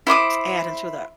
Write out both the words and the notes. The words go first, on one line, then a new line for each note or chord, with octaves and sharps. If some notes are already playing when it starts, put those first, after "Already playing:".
adding to the
E4 C5 D6 D#6